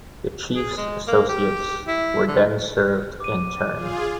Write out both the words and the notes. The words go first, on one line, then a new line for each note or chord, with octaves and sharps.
The chief's associates were then served in turn.
G#4
G#3
A#3
G4
E4
D3
D6 D#7
F4 G#4